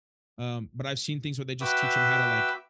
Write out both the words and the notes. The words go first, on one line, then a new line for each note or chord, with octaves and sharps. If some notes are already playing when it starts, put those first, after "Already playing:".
Um, but I've seen things where they just teach 'em how to, like,
F#4 B4 E5 G5 D6 E6